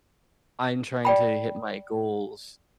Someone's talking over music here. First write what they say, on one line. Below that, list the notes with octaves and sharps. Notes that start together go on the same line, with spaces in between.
I'm trying to hit my goals,
D5 G5 B5